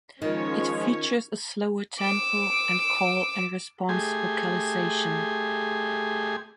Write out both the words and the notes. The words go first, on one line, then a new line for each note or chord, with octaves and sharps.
It features a slower tempo and call and response vocalization.
D#3 F3 G#3 C#4 D#4 F4 C#5
D6 E6
A3 G4 G#4 G#5 C6